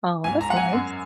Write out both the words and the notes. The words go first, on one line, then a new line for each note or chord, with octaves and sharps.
Oh, that's nice.
G#2 G#5
A#5
F#3 F#5
G#5
F#2